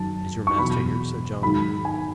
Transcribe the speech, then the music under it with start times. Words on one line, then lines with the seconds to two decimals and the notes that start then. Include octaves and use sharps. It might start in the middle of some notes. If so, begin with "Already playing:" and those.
'Is your master here?' said John.
Already playing: F#2 D#3 F#3 A5
0.47 C#6
0.58 E2 B2 F#3 B5
1.42 G#2 D#3 F#3 B5
1.85 G#5